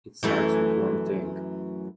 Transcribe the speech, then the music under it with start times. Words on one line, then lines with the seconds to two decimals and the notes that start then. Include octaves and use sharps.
It starts with one thing.
0.23 F#2 E3 A3